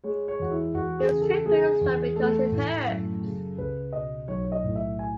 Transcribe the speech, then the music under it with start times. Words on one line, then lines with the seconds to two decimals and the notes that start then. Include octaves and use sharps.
It's too good a story because it hurts.
0.04 G#3 C#5
0.28 C#5
0.39 E2 F#4
0.51 E4
0.74 E2 F#4
0.99 G#4
1.11 C#3
1.22 A4
1.46 G#3 G#4
1.81 E2
2.16 A3 A4
2.52 A2
2.87 F#2
3.22 C#3
3.58 C#2 B4
3.93 B2 D#5
4.28 B1 C#5
4.44 C#5
4.52 D#5
4.64 A2
4.75 E5
4.99 G#5